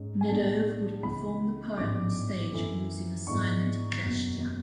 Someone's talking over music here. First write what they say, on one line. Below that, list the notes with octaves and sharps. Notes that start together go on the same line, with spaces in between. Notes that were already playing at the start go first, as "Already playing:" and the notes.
Gnedov would perform the poem on stage using a silent gesture.
Already playing: G#2 G#3 C#4
G#5
B1 A2 G#3 D4 A5
C#2 C#3 E3 B5
A1 G#2 E3 B3 D4 D6
F#2 E3 A3
G#2 E3 B3 D4 C#6
F#1 E2 B2 F#3